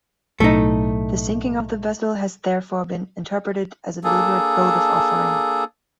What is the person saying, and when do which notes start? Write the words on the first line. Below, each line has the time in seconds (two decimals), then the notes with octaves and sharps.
The sinking of the vessel has therefore been interpreted as a deliberate votive offering.
0.40 B1 A2 A3 D#4
4.04 A#3 D4 G#4 A4